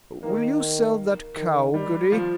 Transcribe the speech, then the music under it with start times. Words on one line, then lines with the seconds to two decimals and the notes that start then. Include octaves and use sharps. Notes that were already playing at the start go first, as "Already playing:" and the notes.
'Will you sell that cow, Goody?'
0.23 D#3 A#3
1.36 D#3
1.74 G3
2.12 F3